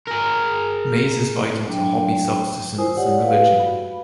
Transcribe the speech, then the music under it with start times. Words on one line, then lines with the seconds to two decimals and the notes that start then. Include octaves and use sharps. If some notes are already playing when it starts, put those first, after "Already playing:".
Maize is vital to Hopi subsistence and religion.
0.07 G#4 A#4
1.65 F#3 D4 G5
2.78 E4 F4 A#4 C5 G#5 D#6
2.96 G4 C#5 D5 F#5
3.21 G4 B4 E5 F5
3.58 F#4 B5